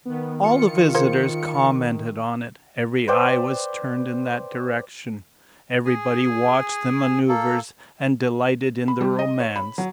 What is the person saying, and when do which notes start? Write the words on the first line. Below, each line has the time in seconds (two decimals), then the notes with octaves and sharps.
All the visitors commented on it, every eye was turned in that direction, everybody watched the manoeuvres and delighted in the romance.
0.05 D#3 B3
0.44 F4 C#7
0.95 A#3 G#4 C5
3.08 B4 C5 D5 G5
5.85 G#4 G#5
7.28 A#3 A4
8.88 B5
9.01 G3
9.19 D#5
9.40 C#5
9.56 B5
9.78 F#3